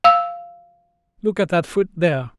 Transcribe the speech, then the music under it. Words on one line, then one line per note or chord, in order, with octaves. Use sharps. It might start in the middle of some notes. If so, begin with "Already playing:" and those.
Look at that foot there.
F5 E6